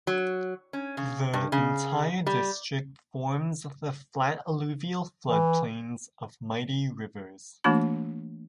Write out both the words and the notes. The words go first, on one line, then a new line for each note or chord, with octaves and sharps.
The entire district forms the flat alluvial flood plains of mighty rivers.
F#3
C#4
C#3
G2
C#3
G3
E3
E3 A3 A#3 D4 F#4 B5